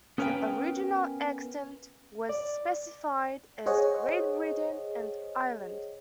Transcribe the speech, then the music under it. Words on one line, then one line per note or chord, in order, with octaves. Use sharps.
The original extent was specified as "Great Britain" and "Ireland".
B3 C#4 A#4 B4 F5 G5
D5
G#4 C5 C#5 D#5 F#5